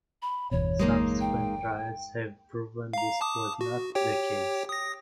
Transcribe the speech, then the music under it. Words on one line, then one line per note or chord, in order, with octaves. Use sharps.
Subsequent trials have proven this was not the case.
B5
G1 E2 B2 C#5
G#3 A#3 D#4
G5
F5 A#5
A5 D6 D#6
F#4
G4 C#5 G5
D#6 A#6